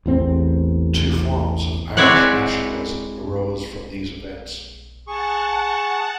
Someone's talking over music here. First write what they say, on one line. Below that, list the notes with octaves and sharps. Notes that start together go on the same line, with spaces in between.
Two forms of Irish nationalism arose from these events.
A1 E2 C4
G#3 C4 E4 C#5 D5 F#5
G#4 F#5 A5 C#6